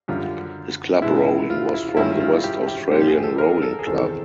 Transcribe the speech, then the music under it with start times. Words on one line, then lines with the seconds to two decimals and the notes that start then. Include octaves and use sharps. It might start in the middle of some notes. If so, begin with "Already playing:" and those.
His club rowing was from the West Australian Rowing Club.
0.08 F#2 D3 G3 F4
1.02 E2 B2 G#3 B3 E4
1.50 F4
1.74 E4
1.88 F4
1.97 G2 D#3 G#3 C#4 E4
2.20 F4
2.44 G4
2.68 G4
2.91 G#2 F3 G#3 C#4 G4
3.01 G4
3.08 G#4
3.24 A4
3.38 A#4
3.62 A4
3.79 G#4
3.87 E2 C3 D#3 G#3 C4 A4
3.98 A4